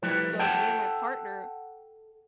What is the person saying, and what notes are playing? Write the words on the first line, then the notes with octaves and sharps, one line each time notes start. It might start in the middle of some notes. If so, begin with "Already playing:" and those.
so me and my partner
F3 G3 A3 E4 B4
A4 F#5 G5 A5